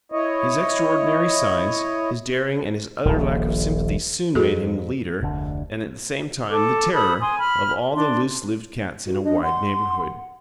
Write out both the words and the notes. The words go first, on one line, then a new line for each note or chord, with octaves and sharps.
His extraordinary size, his daring and his utter lack of sympathy soon made him the leader--and, at the same time, the terror--of all the loose-lived cats in a wide neighbourhood.
E4 C#5 D#5
D#1 A#1
F2 F#4 G#4 A4
F1 D2 D3
A4 D6
A4 B5 D#6
G#5 C6 D#6
B5 F6
D4 C6
F#4
D4 D#5
F#5 C6